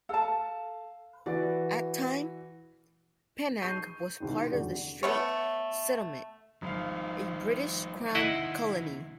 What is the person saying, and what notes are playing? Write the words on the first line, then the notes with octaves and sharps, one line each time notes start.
At the time, Penang was part of the Straits Settlement, a British Crown colony.
A4 F5 A5
E3 F#4 B4 D5
C#6 G6 C7 D#7
C2 G#2 B2 D#3
F1 E2 D3 F#4 D5
A3 B3 C#5
G#1 F3 G3 F5
C3 D#3 E4 D#5 F#5 F#6 B6 C7